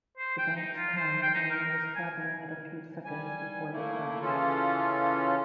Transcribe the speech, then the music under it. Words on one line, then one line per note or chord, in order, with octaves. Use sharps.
The Bankstown train was travelling at a few seconds before the crash.
C5
G5
D#4
F4
C5
G5
D#4
A#4
G#5
G3 G#5
A3 A#3 E4
C#3 E3 C#4 F4 A4